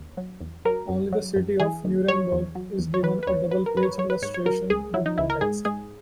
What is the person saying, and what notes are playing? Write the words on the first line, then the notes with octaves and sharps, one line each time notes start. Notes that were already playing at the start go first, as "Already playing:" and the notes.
Only the city of Nuremberg is given a double-page illustration with no text.
Already playing: D#2
F#3
E2
F#3 A#4
F#2
F#3
F#2
E3 G#4
D#2
F#3 C#5
E2
F#3
E2
C#5
E3 B4
B4
D#2 C#5
F#3 B4
A#4
F#2 B4
C#5
F#3 C#5
B4
G#2 C#5
C#5
F#3 A#4
C#2 G#4
F#3 E4
D#4
C#2 E4
A#4
G#2 G#4
G#2 G#4